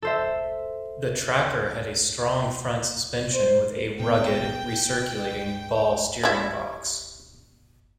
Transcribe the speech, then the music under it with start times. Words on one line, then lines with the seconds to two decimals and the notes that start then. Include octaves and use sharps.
The Tracker had a strong front suspension with a rugged recirculating ball steering box.
0.02 A4 C5 E5
3.32 C5
4.00 B2 G5
6.23 G3 E4